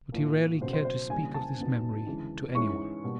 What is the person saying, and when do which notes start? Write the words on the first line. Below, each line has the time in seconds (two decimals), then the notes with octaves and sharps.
But he rarely cared to speak of this memory to any one.
0.12 A2 F3 A#3
0.61 C#2 B2 F#3 C5
0.73 C5
0.85 C5
1.09 D2 C#3 E3 G3 A#3 G#5
1.34 A5
1.58 F#2 C#3 F#3 B3 D#4
2.06 D2 C#3 E3 G#3
2.55 G#2 E3 G#3 C#4 E4 C#6
3.04 B2 G3 A#3